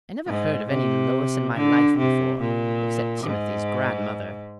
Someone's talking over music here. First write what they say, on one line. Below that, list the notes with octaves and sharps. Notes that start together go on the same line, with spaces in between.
I never heard of any Lois in my life before, except Timothy's grandmother.
G#2
C3
D3
C3
A#2
G#2